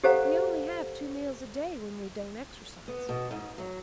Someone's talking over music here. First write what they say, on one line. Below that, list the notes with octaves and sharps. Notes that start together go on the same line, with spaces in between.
We only have two meals a day when we don't exercise.
G4 A4 C5 F5 F#5 A#5
B3
B2
G#2
F#3